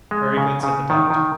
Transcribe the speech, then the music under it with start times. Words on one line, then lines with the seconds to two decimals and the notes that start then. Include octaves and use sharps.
"Very good!" said the doctor.
0.11 G#3
0.37 C#3
0.63 C#3
0.90 D#3
1.10 D#3